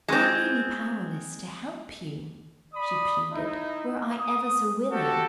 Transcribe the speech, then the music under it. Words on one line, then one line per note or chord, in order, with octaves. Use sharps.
"I may be powerless to help you," she pleaded, "were I ever so willing."
G#3 C4
D5 B5 D#6
D#4 E4
D#6
F#4 G4 A4